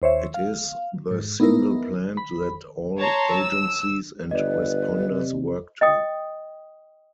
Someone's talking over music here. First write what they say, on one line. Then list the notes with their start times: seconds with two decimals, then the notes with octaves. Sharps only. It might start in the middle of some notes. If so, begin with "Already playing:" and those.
It is the single plan that all agencies and responders work to.
0.02 D#2 C5 C#5 E5
0.34 F5
1.11 G#2
1.40 B3 D#4 E4 A#4
2.17 B5
2.98 C#5 A5 A#5 C6
3.34 E6
4.31 G1 B4 D5 D#5
5.10 C3
5.81 D#5 G5 D#6